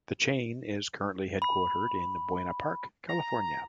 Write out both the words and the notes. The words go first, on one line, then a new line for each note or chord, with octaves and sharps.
The chain is currently headquartered in Buena Park, California.
B5
A#5